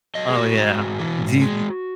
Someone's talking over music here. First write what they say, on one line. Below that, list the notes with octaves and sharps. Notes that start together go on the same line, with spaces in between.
Oh, yeah, di
F#3 D#5
G#4
A2 F#4
G#3
G#2
E3
G#2
G#3